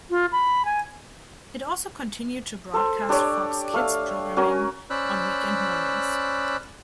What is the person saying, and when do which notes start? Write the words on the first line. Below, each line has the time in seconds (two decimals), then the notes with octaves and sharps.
It also continued to broadcast Fox Kids programming on weekend mornings.
0.10 F4
0.32 B5
0.65 G#5
2.74 A4 C5
3.09 D4 G4 C#5 D5
3.74 A3 F5
4.37 C#4 F#4 A#4 G#5
4.90 C#4 C5 D5 B5 E6 F#6